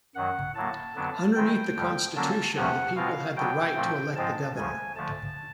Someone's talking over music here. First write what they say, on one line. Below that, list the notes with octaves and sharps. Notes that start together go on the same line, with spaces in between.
Underneath the constitution, the people had the right to elect the governor.
F#2 D#3 F#3 F#5
A2 F#3 A#3 A5
F2 D3 F#3 B3 D4
D#3 G#3 C4 E4 G5
F2 D3 G3
D3 F#3 A#3 C#4 A5
E2 C3 F3 A3 C#4 F#5
B2 G#3 C4 F4 F5
B2 F#3 B3 D4 G5
A#2 F3 A3 C4
G#2 F3 G#3 C4 F4 A5
D2 C#3 F3 G#5
D3 F3 A3 A5